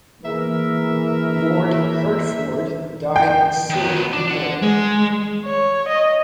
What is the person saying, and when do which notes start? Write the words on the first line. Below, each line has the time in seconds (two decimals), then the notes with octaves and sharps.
Lord Hertford died in Surrey, England.
0.25 E3 A#3 G#4 A#4 E5 E6
3.16 G5
3.70 D#3 B3
4.13 D4
4.28 D4 F#5
4.62 G#3
5.45 C#5
5.88 D#5